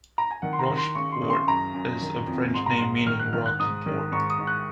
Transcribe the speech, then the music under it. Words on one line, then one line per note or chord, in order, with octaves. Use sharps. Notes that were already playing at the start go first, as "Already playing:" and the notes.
Rocheport is a French name meaning "rocky port".
A#5
G#5
D#3 F#5
C6
A#5
D#3
C6
C#3 C#6
C6
C#3
C6
F#2 A#5
F#2
D#3
F2
G#2 C6
A#5
G#2 C6
D#3 F6
F#6
D#3 F6
F#6
G#2 D#6
D#3
G#2 C#6
D#6
G#2
F#6